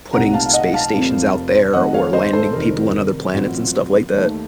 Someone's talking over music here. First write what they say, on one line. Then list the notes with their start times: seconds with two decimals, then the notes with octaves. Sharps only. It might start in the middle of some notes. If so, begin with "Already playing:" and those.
putting space stations out there or landing people on other planets and stuff like that?
0.13 C2 A#2 A3 C4 D#4 F#5 A#5
0.33 F5 A5
0.46 F5
0.53 D#5 F#5
0.74 F5 A5
0.93 F1 F2 C3 F3 A#3
1.73 F2 D#3 A3 D#5 F#5
1.94 C#5 F5
2.13 C5 D#5
2.33 A4 C5
2.53 F1 F2 D#3 A#4
3.34 A1 A2 F#3 C4 F4
4.14 D#2 D#3 A3